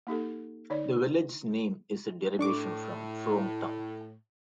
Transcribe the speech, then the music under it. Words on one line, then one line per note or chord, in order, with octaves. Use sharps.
The village's name is a derivation from "Frome Town".
A#3 D#4 G4 A4
D3 D#4 C#5 D5
A2 D4 C#6 D6